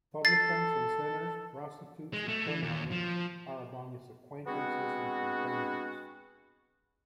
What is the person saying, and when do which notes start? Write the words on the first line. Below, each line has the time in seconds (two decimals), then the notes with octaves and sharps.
Publicans and sinners, prostitutes and criminals are among his acquaintances and companions.
0.25 A4 A6 C7
2.13 G#3
2.28 A3
2.47 E3
2.63 D#2
2.92 F3
4.47 G#3 B3 C4 D4 F#4